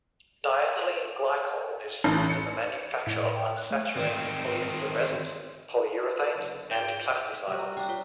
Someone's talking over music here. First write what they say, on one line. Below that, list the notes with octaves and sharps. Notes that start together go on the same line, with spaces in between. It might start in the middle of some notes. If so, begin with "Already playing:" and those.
Diethylene glycol is used in the manufacture of unsaturated polyester resins, polyurethanes, and plasticizers.
A1
C#7
A2
G5
F#6
A3
D#3 C4
B4 A5
F#1 D3 B3
G#2 G5
E5
G3 F#4
A#5
D4 G5
F4 C#5